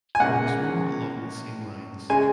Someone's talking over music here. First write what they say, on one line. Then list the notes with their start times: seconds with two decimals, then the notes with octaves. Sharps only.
There was more along the same lines.
0.15 G#5
0.20 C#2 C#3 A#3 F#5
2.10 C#3 G#3 G#5